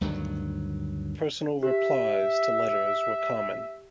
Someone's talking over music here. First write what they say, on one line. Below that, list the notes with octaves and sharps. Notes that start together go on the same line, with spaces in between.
Personal replies to letters were common.
D2 G2 D#3 F#3
G4 E5